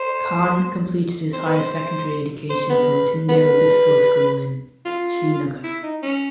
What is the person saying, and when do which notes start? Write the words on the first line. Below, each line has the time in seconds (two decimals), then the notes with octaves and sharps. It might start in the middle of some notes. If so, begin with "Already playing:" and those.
Khan completed his Higher Secondary education from Tyndale Biscoe School in Srinagar.
Already playing: C5
1.33 C5
1.46 B4
1.59 C5
2.50 C5
2.70 B4
3.29 B4
4.85 F4
5.63 E4
5.83 D#4
6.02 C#4